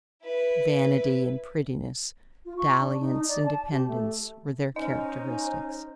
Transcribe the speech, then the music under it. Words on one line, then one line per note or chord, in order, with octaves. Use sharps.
Vanity and prettiness, dalliance and dependence were their characteristics.
E4 B4
F4
C#6
D4
D#4
D5
A5
G4
A3
C#4 D#4 C5 D#5